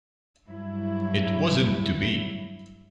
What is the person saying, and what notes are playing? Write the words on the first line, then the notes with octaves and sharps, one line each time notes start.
It wasn't to be.
G2 F#3 E4